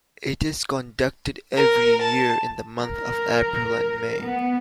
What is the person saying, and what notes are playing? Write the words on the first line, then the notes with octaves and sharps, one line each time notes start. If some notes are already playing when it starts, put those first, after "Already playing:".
It is conducted every year in the month of April and May.
A#4
A5
A#4
B3